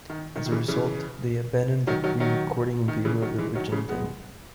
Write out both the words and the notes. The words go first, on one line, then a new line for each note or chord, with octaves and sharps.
As a result, they abandoned the re-recording in favour of the original demo.
D#3
D#3
D#3
C#3 E3
C#3 E3
D#3 F#3
D#3 F#3
D#3 F#3
D#3
C#3 E3
D#3 F#3
E3 G#3
D#3 F#3
C#3 E3
G#3 B3